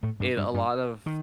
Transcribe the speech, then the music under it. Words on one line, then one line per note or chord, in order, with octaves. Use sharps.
it a lot of
A2 A3
G2 G3
G2 G3
G2 G3
D#3